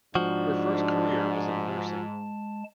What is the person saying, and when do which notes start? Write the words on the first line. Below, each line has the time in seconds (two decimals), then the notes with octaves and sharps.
Her first career was in nursing.
0.15 G#2 F3 G#3 D4 F#4 A5